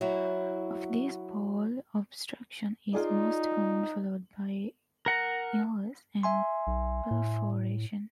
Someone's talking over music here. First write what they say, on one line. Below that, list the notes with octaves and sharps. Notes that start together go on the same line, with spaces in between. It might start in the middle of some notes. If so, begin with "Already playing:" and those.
Of these, bowel obstruction is most common, followed by ileus and perforation.
F#3 E4 F#4
D#4 F4 G#4 D5
A#4 F#5 A#5
E5 G#5 C6
B1
A2